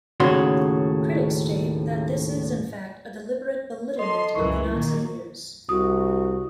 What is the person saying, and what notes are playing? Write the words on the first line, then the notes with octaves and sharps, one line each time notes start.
Critics state, that this is in fact a deliberate belittlement of the Nazi years.
D#2 A2 C#3 F#4 C#5 C6
A4 D#5 C6
C#2 F#2 E3 A#4 C#6
A#2 D#3 A#3
C2 F#4 D#6